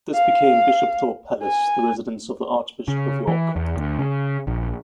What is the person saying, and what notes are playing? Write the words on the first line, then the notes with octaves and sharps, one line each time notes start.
This became Bishopthorpe Palace, the residence of the Archbishop of York.
F5
G#5
C#3
E3
E2
D2
C#3
A#1